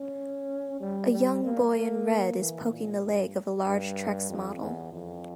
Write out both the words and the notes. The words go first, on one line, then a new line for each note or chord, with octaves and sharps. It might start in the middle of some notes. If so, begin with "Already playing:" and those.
A young boy in red is poking the leg of a large trex model.
Already playing: C#4
G3
G3
A#3
A#3
E3
A#2
G2
G2
F2
E2
F2